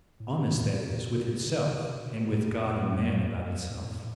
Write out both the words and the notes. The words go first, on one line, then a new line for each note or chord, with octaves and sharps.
Honest, that is, with itself, and with God and man about itself.
A2
E2
F2
G#2
A2
B2
C3
D3
C3
B2
B2
G#2
F2
F2
E2
F2
E2
G#2
F2
A2